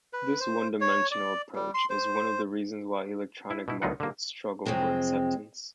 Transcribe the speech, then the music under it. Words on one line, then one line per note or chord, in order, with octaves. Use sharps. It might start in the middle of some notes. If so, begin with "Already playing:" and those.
This one-dimensional approach is one of the reasons why electronic markets struggle for acceptance.
B4
C5
C#5
D5
G3
C6
C5
E4
B2 E4
D2 F#3 B3 D#4 F4 F#5
D3 A#3
F2 C3 F#3 G#3 C4